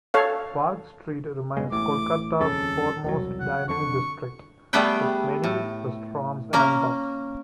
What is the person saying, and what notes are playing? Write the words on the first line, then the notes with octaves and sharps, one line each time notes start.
Park Street remains Kolkata's foremost dining district, with many restaurants and pubs.
A4 C#5 F5
G2 B2 G#3
A1 A2 D6
D#1 F2 C#3 A4
E1 C2 F#3
F#5
F2 D3 C#6
G3 A3 B3 G#4 B4 G5
A2
A#3 C#4 A#4